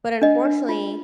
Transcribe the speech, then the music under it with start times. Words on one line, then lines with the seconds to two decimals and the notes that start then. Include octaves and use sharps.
But unfortunately,
0.22 D4 D#5
0.45 D4
0.69 F4